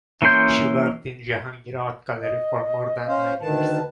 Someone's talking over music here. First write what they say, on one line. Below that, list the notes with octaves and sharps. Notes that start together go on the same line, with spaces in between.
She worked in Jahangir Art Gallery for more than nine years.
E3 A#3 C#4 C6 G6
D#5
C#4 C5 F5
D2 D#3 B4 A5